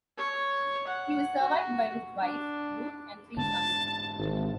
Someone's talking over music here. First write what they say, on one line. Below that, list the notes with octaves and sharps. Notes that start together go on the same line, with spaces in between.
He was survived by his wife, Ruth, and three sons.
C#5
F#5
F#4
D4
G#2 D3 A5
G#1